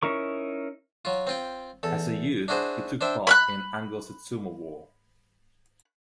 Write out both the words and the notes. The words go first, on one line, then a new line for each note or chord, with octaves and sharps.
As a youth, he took part in the Anglo-Satsuma War.
C#4 D#4 E4 A#4 C#6
F#3 F4
C4 F4 G5
E2 A4
D4 E4 F#4 G#4 C5
D4 C5 E5 G5
B5 F6 F#6